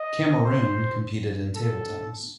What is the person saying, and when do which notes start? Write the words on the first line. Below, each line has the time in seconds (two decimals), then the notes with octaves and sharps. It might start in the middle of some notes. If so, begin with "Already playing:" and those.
Cameroon competed in table tennis.
Already playing: D#5
0.45 C5
1.56 A4